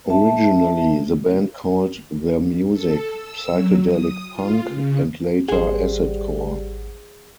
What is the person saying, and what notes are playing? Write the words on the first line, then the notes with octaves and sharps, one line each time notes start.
Originally the band called their music "Psychedelic Punk" and later "Acid Core".
E5 A5
A4
E6
F#3
D#6
F4
C#3
G#1 G3 G#4 C5 F#5